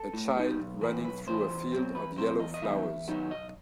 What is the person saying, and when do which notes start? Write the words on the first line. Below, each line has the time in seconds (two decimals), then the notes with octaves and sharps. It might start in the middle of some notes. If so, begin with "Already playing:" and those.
A child running through a field of yellow flowers.
Already playing: A4
0.14 A2
0.36 G3 D#4
0.60 B1
0.81 A2 E3 B4
1.04 B1 B4
1.27 A2 E3 C5
1.50 E2
1.72 B2 F#3 C4
1.95 E2 B4
2.18 B2 F#3 C4 C5
2.40 E2 D#5
2.54 D#5
2.62 D#3 F#3 B3 D#4 E5
2.85 E2
3.08 D#3 F#3 B3 D#4
3.31 B1 D#5